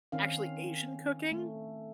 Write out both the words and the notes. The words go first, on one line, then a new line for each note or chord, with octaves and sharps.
actually Asian cooking?
D#3 C4 C#4 F5
A3